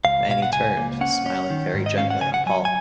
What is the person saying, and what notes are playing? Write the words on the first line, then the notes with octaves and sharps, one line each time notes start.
Fanny turned, smiling very gently on Paul.
C#2 F5
B2 F5
F#5
C#2 G#5
A#3
C#4 F#5
C#4
D#3
G#2
D#5
C#4 F5
F#5
C#3 G#5
F#5
F#3 G#5
G#5